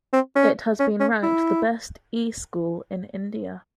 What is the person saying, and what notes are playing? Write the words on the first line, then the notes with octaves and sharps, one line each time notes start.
It has been ranked the best E-school in India.
C4
C#4
C#4
C#4
E4